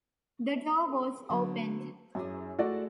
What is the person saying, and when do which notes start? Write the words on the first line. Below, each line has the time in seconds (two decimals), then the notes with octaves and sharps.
The door was opened.
1.30 D3 F#3 B3
2.15 F#2 C#4 E4 G#4
2.59 G#3 A3 F#4 A4 D5